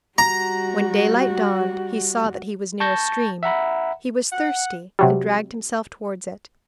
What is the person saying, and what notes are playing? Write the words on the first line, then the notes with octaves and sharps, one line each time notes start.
When daylight dawned he saw that he was near a stream; he was thirsty, and dragged himself towards it.
G3 F#4 A#5
A5 C#6 G6 A6 A#6
E5 F#5 A#5 B5
F#5
C3 F#3 G3